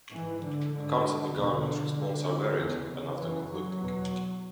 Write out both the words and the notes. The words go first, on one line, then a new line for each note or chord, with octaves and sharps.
Accounts of the government response are varied and often conflicting.
G#2 E3
D3
G#2 D3
E2 B2 D3
D3
G#2
E2 C#3
C#3
F#2 C#3 E3
F#3
E2 B2